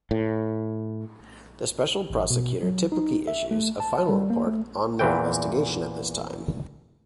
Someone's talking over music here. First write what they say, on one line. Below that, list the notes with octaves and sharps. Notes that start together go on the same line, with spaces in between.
The special prosecutor typically issues a final report on their investigation at this time.
A2
A1
B2
F#3
D#4
E5
A3
A5
G3
A#3
A3
E2 A#2 E3 G5